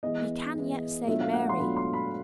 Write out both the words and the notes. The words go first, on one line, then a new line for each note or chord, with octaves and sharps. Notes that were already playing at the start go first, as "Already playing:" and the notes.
You can yet save Mary.
E3 G#3 B3 D#5
E3 G#3 B3
B2 F#3 A3 D4 F4 E5
F5
F#5
C6
B2 F#3 A3 D4 F4 B5
C6
B5